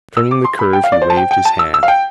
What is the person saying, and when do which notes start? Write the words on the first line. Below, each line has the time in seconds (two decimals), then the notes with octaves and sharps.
Turning the curve he waved his hand.
0.17 E6
0.31 D6
0.44 C6
0.59 B5
0.73 G5
0.84 F5
0.92 D5
1.02 C5
1.10 A5
1.17 G5
1.31 G5
1.45 A5
1.59 E6
1.74 E6
1.83 F5
1.88 G5